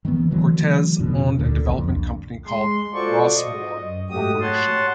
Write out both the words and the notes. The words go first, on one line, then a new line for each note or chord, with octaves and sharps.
Cortese owned a development company called Rossmoor Corporation.
D#3 E3 A3 B3
D3 E3 F#3 A3
F2 B2 D3
D2 A#2 D3
C2 F2
G#3 C6
F4 F#4 A4 C5 D5 C#6
D#5
F#2
G#2 A3 F#4 G4 D#6
C#5 F#5 A5 C6